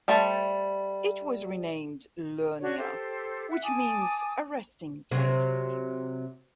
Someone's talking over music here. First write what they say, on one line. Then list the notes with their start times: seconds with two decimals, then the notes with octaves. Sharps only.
It was renamed Lurnea which means "a resting place".
0.08 G3 A3 C5 A5
2.60 D4 F#4 C#5 D5
2.78 G4 A4 C5
3.49 E5 F#5
3.63 G#5 A5 D6 D#6
5.11 C3 F#3